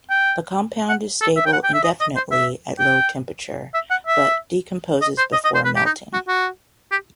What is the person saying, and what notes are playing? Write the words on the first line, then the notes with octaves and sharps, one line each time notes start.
The compound is stable indefinitely at low temperature, but decomposes before melting.
G5
F#5
A4
E5
G5
F#5
G5
E5
D#5
D#5
C5
E5
G5
E5
F#5
E5
D#5
C5
D#5
D#5
C5
B4
G4
D#4
F#4
F#4
G4